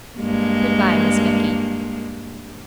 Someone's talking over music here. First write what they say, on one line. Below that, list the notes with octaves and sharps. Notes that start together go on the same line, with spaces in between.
'Good-bye, Miss Becky.
G2 G#3 A#3